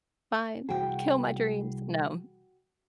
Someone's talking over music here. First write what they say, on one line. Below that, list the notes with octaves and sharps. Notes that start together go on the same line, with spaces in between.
Fine. Kill my dreams, no.
C2 E3 F#4 G#4 G5